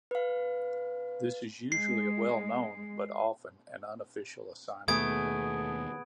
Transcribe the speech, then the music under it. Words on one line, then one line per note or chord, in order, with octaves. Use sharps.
This is usually a well-known but often an unofficial assignment.
B4 F5
G#3 C7
D#2 B2 A3 B3 G#4 D#6 G#6 D7